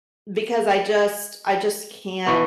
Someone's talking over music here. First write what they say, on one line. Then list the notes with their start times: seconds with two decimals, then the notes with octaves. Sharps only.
because I just I just can't
2.27 B2 E3 C#6